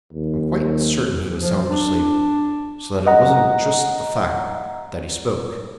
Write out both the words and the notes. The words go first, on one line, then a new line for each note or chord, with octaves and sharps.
I'm quite certain he was sound asleep, so that it wasn't just the fact that he spoke.
D#2
F3
D4
D#5 F#5 A#5